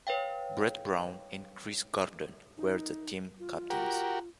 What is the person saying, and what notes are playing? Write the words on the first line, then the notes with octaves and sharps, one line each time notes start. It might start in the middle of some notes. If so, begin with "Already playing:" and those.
Brett Brown and Chris Gordon were the team captains.
B4 C#5 F5 G5
D#4
F4
F#4 G4 A#4